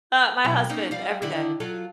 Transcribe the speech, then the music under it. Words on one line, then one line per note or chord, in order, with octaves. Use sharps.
Uh, my husband, every day,
B2 F#3 G4
A#3 C#4 D#4
G3 F5
D3 D#3 E4
F#3 F4 A4